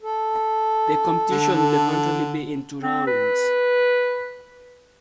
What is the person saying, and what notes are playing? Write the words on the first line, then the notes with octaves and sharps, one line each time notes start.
The competition would eventually be in two rounds.
A4
D3
C4
B4